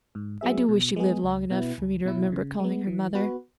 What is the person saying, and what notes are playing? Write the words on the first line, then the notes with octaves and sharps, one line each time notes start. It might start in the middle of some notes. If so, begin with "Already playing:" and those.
I do wish she'd lived long enough for me to remember calling her mother.
G#2
F#3 B3 G#4 E5
B2
G#3 B3 G#4
C#2
B2 B3 E4
C#2
B2 F#3 E4
C#3
G#3 B3
E3
B3 F#4 B4